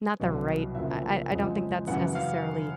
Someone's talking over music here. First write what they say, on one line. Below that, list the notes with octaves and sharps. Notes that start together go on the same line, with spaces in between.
not the right I I I don't think that's necessarily
C2 B2 F#3
D2 C#3 F3 A#3 E5
F2 C#3 F3 G#3
F#2 C#3 E3 F#5
F5